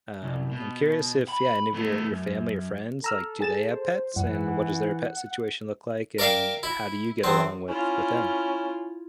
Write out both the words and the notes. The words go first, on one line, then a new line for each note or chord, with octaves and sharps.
um, I'm curious if yeah, any of your your family or friends, like, do they have pets, and what does their pet situation look like, and how do you get along with with them?
C2
B2
B5
A3 B3
F#2
A4 A#5 E6 F6
G#4 A6 E7
C5
F#2 E3 F#5
A#4 D5 E5 F5 G5
E4
E2 C4
C#4 E4 F4